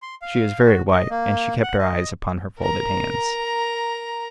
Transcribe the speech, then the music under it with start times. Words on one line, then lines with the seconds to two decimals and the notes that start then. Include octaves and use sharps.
She was very white, and she kept her eyes upon her folded hands.
0.02 C6
0.22 F5
0.65 F#4
0.92 D#5
1.10 A#3
1.63 F#5
1.79 D#5
2.58 A#4 A#5